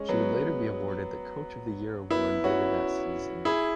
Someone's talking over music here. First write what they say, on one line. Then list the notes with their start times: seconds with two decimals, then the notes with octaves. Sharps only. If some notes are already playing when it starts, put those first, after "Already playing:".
She would later be awarded the "Coach of the Year" award later that season.
Already playing: G#3 C#4
0.09 F#3 B3
2.10 B3 E4
2.44 C#4 F#4
3.45 E4 G#4